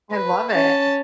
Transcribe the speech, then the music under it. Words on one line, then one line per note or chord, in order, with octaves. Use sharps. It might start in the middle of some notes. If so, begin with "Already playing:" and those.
I love it.
B4
C#4 A5